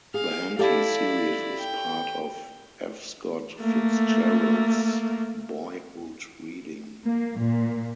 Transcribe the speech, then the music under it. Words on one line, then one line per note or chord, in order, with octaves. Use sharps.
The Henty series was part of F. Scott Fitzgerald's boyhood reading.
G#4 F5
E4 G4 A4 D5 F5
G5
A3 A#3
A#3
A#2